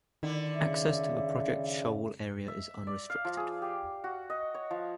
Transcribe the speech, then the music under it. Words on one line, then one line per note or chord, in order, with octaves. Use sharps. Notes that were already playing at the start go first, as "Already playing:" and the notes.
Access to the Project Shoal Area is unrestricted.
D3 D#3 E4
C#3 E5
E5
D5
F5
F3
G#4
G4
F#4
D#5
C#5
F3